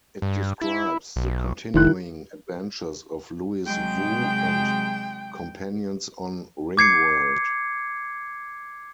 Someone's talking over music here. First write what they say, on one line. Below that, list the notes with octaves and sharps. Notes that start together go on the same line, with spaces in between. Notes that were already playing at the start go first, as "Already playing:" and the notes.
It describes the continuing adventures of Louis Wu and companions on Ringworld.
G2
E4
B1
F1 D#3 E4 F#6
C3 F#3 G#3 G5
D6 G#6 C7 C#7